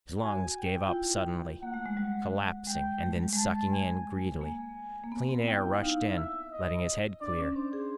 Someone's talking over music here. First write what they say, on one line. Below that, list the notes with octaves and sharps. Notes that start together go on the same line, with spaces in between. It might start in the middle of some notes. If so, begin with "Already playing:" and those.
His lungs gave up suddenly, collapsing and then sucking in greedily. Clean air rushed in, letting his head clear.
F#4 G#5
G5
F4
E4
A#3 F#5
A3
G#3
G3
G#3 G5
A3
G#3
G3
G#3 A5
A3 G#5
A#3 G#5
A#3
B3
C4
E4 G5
D#4 F5
E4
D#4
E5
D#5
D4 D5
C#4
D4 C5
G#4